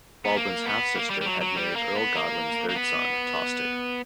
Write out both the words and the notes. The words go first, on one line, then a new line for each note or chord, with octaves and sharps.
Baldwin's half-sister had married Earl Godwin's third son, Tostig.
B3
A#3
B3
A#3
G3
G3
F#3
F#3
G3
A#3
B3
A#3
A#3
B3